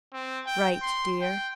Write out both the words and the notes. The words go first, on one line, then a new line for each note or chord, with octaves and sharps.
'Right, dear.
C4
G5
C6
G5